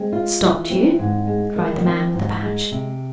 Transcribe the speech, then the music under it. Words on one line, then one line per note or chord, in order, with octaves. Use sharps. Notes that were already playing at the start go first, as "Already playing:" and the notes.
"Stopped you?" cried the man with the patch.
Already playing: G#3 C4
F4
E3
C4
G#2
G#3
D#3
C4
G#2
G#3
C3